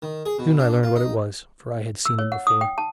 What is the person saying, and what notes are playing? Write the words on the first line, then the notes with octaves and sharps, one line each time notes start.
Soon I learned what it was, for I had seen them before.
D#3
G#4
B2
D4
F4
D#4
E6
C#5
F#5
D#6
G5
A5